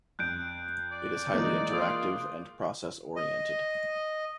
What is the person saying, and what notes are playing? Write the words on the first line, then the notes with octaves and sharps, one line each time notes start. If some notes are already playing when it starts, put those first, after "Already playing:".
It is highly interactive and process-oriented.
F2 F#6 G6 D7
D5
E3 G#3 A#3 D#4
F4 D#6
D#5